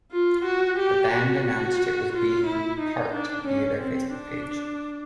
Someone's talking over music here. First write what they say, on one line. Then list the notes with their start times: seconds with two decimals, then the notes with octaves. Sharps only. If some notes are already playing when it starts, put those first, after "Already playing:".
The band announced it was being "parked" via their facebook page.
0.12 F4
0.45 F#4
0.79 G4
1.12 F#4
1.46 F#4
2.13 F4
2.46 E4
2.80 D#4
3.13 D4
3.47 C#4
3.81 C4
4.14 D4